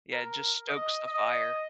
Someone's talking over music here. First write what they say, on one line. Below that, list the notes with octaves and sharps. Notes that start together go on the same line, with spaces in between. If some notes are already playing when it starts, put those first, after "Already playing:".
Yeah, it just stokes the fire.
A#4
D#5
D#5